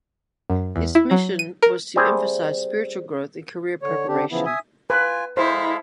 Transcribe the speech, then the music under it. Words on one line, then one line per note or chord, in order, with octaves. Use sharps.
Its mission was to emphasize spiritual growth and career preparation.
F#2
E2
E4
F#3
D#7
A#4
G3 A3 C4 G#4
D3 C#5
D3 C4 D4 G4
C#3 E3 F3 B3 E4
E5 G#5 D#6
F4 B4 G#5
G#3 E4 A4 C5 F5